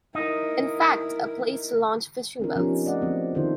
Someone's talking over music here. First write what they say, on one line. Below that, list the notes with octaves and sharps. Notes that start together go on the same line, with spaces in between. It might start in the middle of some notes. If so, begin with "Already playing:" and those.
In fact a place to launch fishing boats.
D#4 E4 A#4
C4 D4 A#4
F3 B3 C#4 D#4 F4 G4
A3 D5 D#5 F#5
F3 B3 C4 F#4
D#3 E4 F4 A4 C5